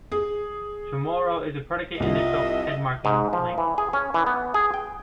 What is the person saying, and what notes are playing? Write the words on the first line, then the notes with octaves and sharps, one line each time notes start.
Chamorro is a predicate-initial, head-marking language.
G#4
C2 F4 D#5 E5
G#2
F3
E3
G#4
C#4
E3
B3
G#4
G5